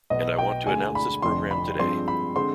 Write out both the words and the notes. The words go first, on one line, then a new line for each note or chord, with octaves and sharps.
And I want to announce this program today.
B1 B2 B3 D#5
G5
D2 D3 G#3 G#5
B5
F1 F2 D3 C6
B5
G2 F3 G#3 C4 C6
B5
D3 G#3 C4 C6